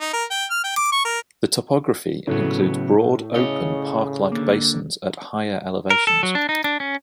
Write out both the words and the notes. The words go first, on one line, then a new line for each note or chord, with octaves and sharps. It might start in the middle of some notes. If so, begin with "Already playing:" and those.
The topography includes broad open park-like basins at higher elevations.
D#4
A#4
G5
F6
G5
D6
C#6
A#4
A2 C#3 F#3 A3 B3
C#3 C#5 D#5
D3 A#3
A#4
A4
F#3
D4
D#4
D4
C#4